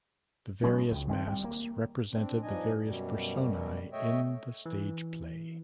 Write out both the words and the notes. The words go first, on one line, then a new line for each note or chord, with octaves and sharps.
The various masks represented the various "personae" in the stage play.
F#3 G#3 B3 C#4
C#2
D#3 C4
G3
A#3
C4 D4
G2 F3 D4 D#4 D#5 G#5
F#2 B2 G3
A3 C#5 D#5 E5 G5
E3